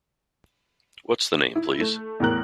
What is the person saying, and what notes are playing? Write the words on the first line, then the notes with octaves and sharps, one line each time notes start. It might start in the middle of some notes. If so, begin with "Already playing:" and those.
What's the name, please?
E4
A3
E2 A2 A#4 F#6